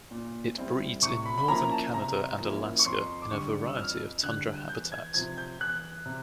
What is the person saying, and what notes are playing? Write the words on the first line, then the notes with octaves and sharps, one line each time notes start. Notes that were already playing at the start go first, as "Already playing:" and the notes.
It breeds in northern Canada and Alaska in a variety of tundra habitats.
A#2
G3 C4 E4
C3 C#6
B5
B5
F3 A#3 C#4 E4 A#5
A5
C3 A#5
F3 A#3 C#4 E4
C#6
F2 C6
D6
D3 G3 C#6
E6
F2 F6
D3 G3 F#6
E2 G6
G#6
C3 F3 G#6
G6
E2 F#6
C3